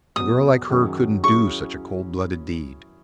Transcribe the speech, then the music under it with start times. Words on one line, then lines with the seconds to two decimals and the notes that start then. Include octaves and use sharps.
A girl like her couldn't do such a cold-blooded deed.
0.16 E2 B2 F#3 D#6
0.70 F#2 D#3 F#3 C#4 G#4
1.23 F#3 C#4 E4 G#4 C#6